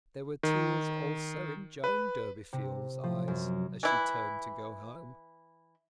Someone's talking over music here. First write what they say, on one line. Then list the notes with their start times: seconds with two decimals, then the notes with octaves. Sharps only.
There were tears also in Joan Durbeyfield's eyes as she turned to go home.
0.43 D#3
1.84 B4
2.53 C3
3.03 F3
3.28 F#2
3.83 E3 E4